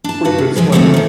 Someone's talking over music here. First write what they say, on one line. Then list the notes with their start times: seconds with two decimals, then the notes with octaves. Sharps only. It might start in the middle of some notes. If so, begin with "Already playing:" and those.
pretty good swimmer
0.04 D4 A5
0.25 G2 F#4 B4 F5
0.38 C3
0.56 E3 F3 G#3 C4
0.72 D3 F3 G#3 A3 B3 C4
0.94 B2 D#3